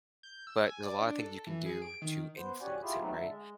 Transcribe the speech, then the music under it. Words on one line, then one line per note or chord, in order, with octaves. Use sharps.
but there's a lot of things you can do to influence it, right,
G6
E6
G#5
D5
D4
A4
E3
G#4
D7
D#3
B3 C5
C#4 F#4 G4 D5 F#5 G#5
E4 F4 G4 G#4
F#3 A3 B3 C4 D#4
D3 E5 A5
G#3